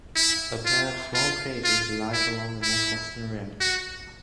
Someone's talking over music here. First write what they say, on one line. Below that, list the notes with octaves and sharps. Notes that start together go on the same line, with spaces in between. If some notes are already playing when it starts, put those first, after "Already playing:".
A pair of small craters lies along the northwestern rim.
E4
F4
F4
F4
E4
E4
F#4